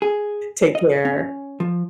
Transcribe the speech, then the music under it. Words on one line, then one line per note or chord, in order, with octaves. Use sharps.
Take care.
G#4
D#5
C#4
F3